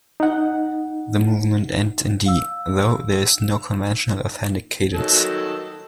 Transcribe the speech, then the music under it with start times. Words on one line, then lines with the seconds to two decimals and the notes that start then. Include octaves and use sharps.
The movement ends in D, though there is no conventional authentic cadence.
0.20 D#4 F#5
2.26 F5 E6
4.94 D#3 F#3 A4